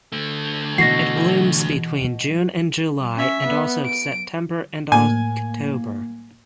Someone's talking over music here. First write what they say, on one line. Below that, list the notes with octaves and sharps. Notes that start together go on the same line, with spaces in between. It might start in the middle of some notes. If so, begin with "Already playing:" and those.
It blooms between June and July and also September and October.
D3 A3
B2 E3 F#4 A#6 C7
C#4 E5
B3
D7
A2 A#3 G#5